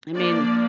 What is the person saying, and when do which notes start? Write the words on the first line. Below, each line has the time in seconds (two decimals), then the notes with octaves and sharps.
I mean,
0.15 F3 A#3 D4 D5